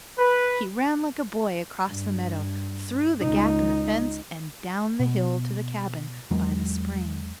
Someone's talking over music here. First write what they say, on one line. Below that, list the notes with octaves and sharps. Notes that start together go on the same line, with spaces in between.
He ran like a boy across the meadow, through the gap in the fence, and down the hill to the cabin by the spring.
B4
G2
C#2 D#4
B2
E2 F#3 G#3